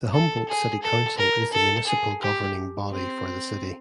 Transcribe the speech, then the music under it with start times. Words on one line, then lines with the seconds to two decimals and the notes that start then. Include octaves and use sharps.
The Humboldt City Council is the municipal governing body for the city.
0.13 A4
0.49 G#4
0.83 A4
1.18 A#4
1.53 A4
1.87 G#4
2.22 G4
2.91 C4